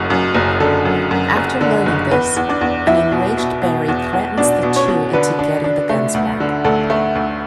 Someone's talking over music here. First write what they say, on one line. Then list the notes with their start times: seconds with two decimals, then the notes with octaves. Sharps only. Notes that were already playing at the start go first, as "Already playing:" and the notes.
After learning this, an enraged Barry threatens the two into getting the guns back.
Already playing: F#1 F#2
0.10 F#2
0.34 F#1
0.60 D3 A4
0.85 F#2
1.11 F#2
1.36 F#1
1.61 D3
1.86 F#1
2.11 E2 B4
2.36 E2
2.49 D4 D5
2.61 E2
2.87 E2 E4 E5
3.12 B2
3.37 B2
3.62 B2
3.88 E2
4.13 E2
4.37 B2 D4 D5
4.63 B2
4.76 C#4 C#5
4.88 B2
5.13 D3 B4
5.39 D4
5.64 D4
5.89 A3
6.14 D2
6.40 D3
6.64 D2 A4
6.90 A3
7.15 D2